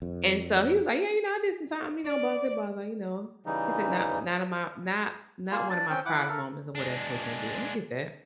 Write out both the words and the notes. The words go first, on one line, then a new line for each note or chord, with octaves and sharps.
and so he was, like, "Yeah, you know, I did some time, you know," blasé, blasé, you know. He said, "Not not of my not not one of my prouder moments or whatever case may be." I get that.
F2
D5
C#3 E3 G3 D#4
A#3 F4 G#4
D4 D5
C4 C#4 G5
E4 F#5 D6
A4 A#4
G#3 D4